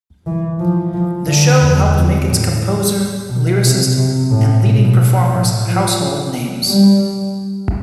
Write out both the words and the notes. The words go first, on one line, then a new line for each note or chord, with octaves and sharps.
The show helped make its composer, lyricist and leading performers household names.
E3
F3
F3
D3
E2
F2
A2
B2
C3
C3
A2
B2
A2
F3
G3